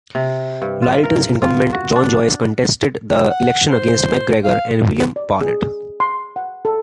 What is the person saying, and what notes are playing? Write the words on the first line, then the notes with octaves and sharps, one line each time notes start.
Lyttelton's incumbent, John Joyce contested the election against McGregor and William Barnett.
C3
G2
F4
A#4
F4
F#4
D4
F#5
C5
F5
D5
G#4
C6
F#5
A4